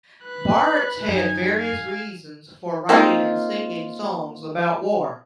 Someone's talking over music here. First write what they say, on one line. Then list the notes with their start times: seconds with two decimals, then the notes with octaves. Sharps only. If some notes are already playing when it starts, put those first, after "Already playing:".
Bards had various reasons for writing and singing songs about war.
0.24 B4 F#6
1.09 F#2 D#4 G#5
1.56 F5 G#5
2.89 A#3 C4 D#4 F4